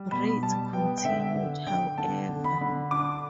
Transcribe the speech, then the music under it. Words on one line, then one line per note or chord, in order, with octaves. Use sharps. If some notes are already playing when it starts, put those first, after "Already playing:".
Raids continued, however.
Already playing: G3
B2 B5
G3 A5
B3 G5
G5
D3 E5
D3
D3 G5
D3 A5
D3
B5
D3
D4 D6